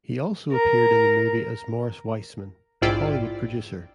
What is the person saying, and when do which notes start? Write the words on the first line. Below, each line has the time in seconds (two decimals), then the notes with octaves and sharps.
He also appeared in the movie as Morris Weissman, a Hollywood producer.
0.53 A#4
2.82 A#1 G#2 E4 F4 D5 G5